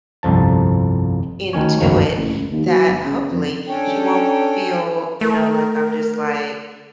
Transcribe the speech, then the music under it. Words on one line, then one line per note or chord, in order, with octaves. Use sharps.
into it that, hopefully, she won't feel, you know, like I'm just like,
G1 C2 F2 F3 A5
D2 D#3 C#4 C#5
G1 C#2 F#2 D#3 F3
A1
C#2
D#2
F#3
G1
C#3
C#3
F2
C#4 D4 A4 C#5 G5
A3 A#4